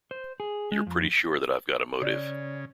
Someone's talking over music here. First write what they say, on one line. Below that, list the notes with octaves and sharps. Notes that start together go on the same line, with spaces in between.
You're pretty sure that I've got a motive.
C5
G#4
G#3
F2
C#3 C#5 D5